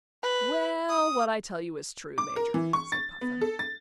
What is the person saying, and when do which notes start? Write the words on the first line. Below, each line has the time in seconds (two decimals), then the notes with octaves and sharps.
"Well, what I tell you is true, Major," said Puffin.
0.23 B4
0.89 D#6
2.18 D6
2.36 A#4
2.54 E3
2.73 C#6
2.92 A6
3.21 B3
3.41 A4
3.59 A6